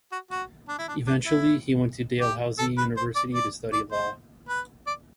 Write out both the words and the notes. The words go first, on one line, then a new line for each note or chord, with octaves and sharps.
Eventually he went to Dalhousie University to study law.
F#4
F#4
D4
E4
D4
D4
E4
G4
A4
B4
C5
D5
D5
D5
C5
B4
D5